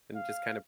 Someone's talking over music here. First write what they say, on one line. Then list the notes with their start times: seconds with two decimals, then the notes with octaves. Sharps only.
And just kind of
0.15 F5